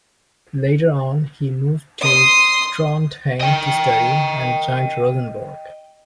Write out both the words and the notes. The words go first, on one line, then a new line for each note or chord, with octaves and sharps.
Later on he moved to Trondheim to study, and joined Rosenborg.
C6 D#6
D#5 G5